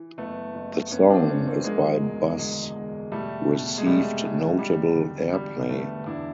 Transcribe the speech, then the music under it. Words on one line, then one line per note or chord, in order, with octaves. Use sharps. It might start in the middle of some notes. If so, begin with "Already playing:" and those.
The song, Is by Bus received notable airplay.
Already playing: E3
F#1 A3 B3
F#1
F2 B3 C#4
C4 D4
F#1 B3 C#4
A#3 C4
F3 G#3 A#3
E1
D2 G#3
E1
B2 G3 A3
B2
G#3
C2 G3 A3
C2
E1 G3
D2
E1 G3
D2 A3 B3
E2 D4 E4